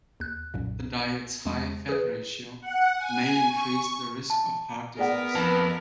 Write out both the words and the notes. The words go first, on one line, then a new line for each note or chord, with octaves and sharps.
The diet's high fat ratio may increase the risk of heart disease.
D#2 F#6
B1 F#2 A#2
E2 G#3
G#4 B4
F#5
G#5
C#6
A5
B3 G#4 A#4 D5 F#5
F2 B4 A5 A#6 E7